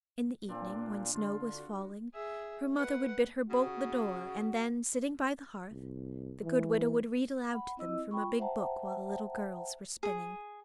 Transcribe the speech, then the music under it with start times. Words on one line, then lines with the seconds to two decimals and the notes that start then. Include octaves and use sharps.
In the evening, when snow was falling, her mother would bid her bolt the door, and then, sitting by the hearth, the good widow would read aloud to them from a big book while the little girls were spinning.
0.49 A#2 C4 D4
1.14 D3 F4
1.55 F#4
2.14 G#4 E5
2.77 B4 F#5
3.50 C#3 F#4
5.72 C2
6.43 E3
7.53 F#5 B5
7.77 C4 E4 D#5 E6
8.11 F4 G5 B5 C#6
8.38 C5 E5 F#5 G5 A5 A#5
10.03 G#4